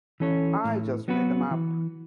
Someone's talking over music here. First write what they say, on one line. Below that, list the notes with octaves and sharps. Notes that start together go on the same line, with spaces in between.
I just made them up.
E3 C#4 A4 C#5
A2
F#3 B3 F#4 B4
E3